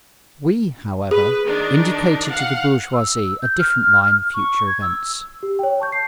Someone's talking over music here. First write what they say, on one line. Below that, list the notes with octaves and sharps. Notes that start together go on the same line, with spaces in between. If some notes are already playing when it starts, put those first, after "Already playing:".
We, however, indicated to the bourgeoisie a different line of future events.
G#4 B4
D#3 D4 D#4
F5 F#5
E6
G6
F6
C#6
G#6
E6
G4
C#5 G5
A5 C#6 G6
C7